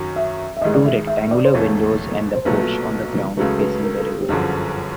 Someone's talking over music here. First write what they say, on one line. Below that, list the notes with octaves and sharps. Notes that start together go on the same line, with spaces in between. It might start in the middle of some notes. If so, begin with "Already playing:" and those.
Two rectangular windows and the porch, on the ground, facing the river.
Already playing: F#2 D#3 F#3
E5
E5
A1 G#2 D#3 G#3 D#5
D5
E5
E5
D5
C5
E1 D#2 C#3 E3 A3 C#5
C5
B1 A#2 F#3 A3 B4
C#2 C#3 F#3 A3 B4
B4
A#4
A4
G4
G1 F#2 D3 F3 G#4